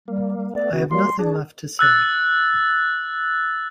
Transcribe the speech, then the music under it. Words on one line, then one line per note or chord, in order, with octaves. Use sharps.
I have nothing left to say.
G3 A#3
G3
A3 B3 D5
C#3 B3 F#4
F#3 G3 A#3 C6
D4 G#4
E6 F#6 A6